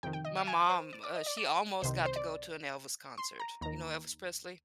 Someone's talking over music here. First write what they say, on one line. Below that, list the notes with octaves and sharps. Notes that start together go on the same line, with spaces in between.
my mom, uh, she almost got to go to an Elvis concert, you know, Elvis Presley?
F2 C3 D#3 G5
G5
D#5
F5
G#5
C5
D5
D5
D#5
D5
D5
C2 C3 D#3 C5
C5
D5
C6
A#5
D#2 D#3 A#5